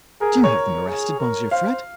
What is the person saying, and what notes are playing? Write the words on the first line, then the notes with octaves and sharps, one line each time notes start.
"Did you have them arrested, Monsieur Fred?"
G#4 A#4
C#5
A#4
G#4
A#4
C5 F5